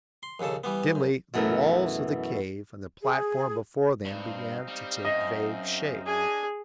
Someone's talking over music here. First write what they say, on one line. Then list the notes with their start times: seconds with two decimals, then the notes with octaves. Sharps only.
Dimly the walls of the cave and the platform before them began to take vague shape.
0.23 C6
0.40 A#1 D#2 C#3 A4 A5
0.64 E3 G3 B3
0.95 F#2
1.34 F#2 B2 E3 A3 B3 A#4
3.02 G#4
4.05 G2 C4 D#4 F5
4.68 G3
5.05 F#2 D#5
6.06 D4 G#4 G#5